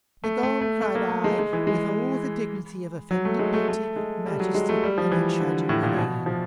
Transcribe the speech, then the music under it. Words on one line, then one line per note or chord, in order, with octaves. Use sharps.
Begone! cried I, with all the dignity of offended beauty, majesty, and a tragic queen.
A3
A3
A3
A3
A#3
A3
G#3
G#3
E3
G#3
F#3
A3
G#3
A3
A3
G#3
G3
F#3
G#3
A3
G3
F3
E3
D3
A2
A#2
B2
F3